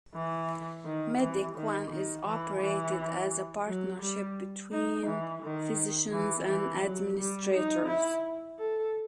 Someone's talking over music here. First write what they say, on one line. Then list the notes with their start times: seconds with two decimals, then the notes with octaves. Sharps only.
Medic One is operated as a partnership between physicians and administrators.
0.15 E3
0.85 D#3
1.20 E3
1.56 D#3
1.90 D#3
2.26 E3
2.61 E3
3.67 F#3
4.02 G3
4.72 D#4
5.07 E3
5.42 D#3
6.12 E3
6.48 E3
6.83 F#3
7.18 G3
7.54 D#4
7.88 E4
8.59 A4